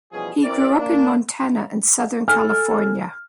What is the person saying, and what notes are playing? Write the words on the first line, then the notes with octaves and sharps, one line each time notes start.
He grew up in Montana and southern California.
B2 E3 F3 G3 C#4 G#4
E3 C4 A#4 D5
A#3 D4
A4 G#5 F6